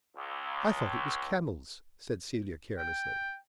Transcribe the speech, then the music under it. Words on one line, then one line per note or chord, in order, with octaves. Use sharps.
"I thought it was 'camels,'" said Celia carelessly.
C#2
G5